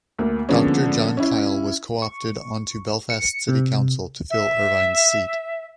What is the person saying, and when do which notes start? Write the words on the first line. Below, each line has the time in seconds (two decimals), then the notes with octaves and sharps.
Doctor John Kyle was co-opted on to Belfast City Council to fill Ervine's seat.
0.19 D2 A#3
0.49 D3 F3 G#3 A#3 B3 C#4
1.17 C#4 E4
2.02 C#6
3.10 C#7
3.48 C3
4.30 E5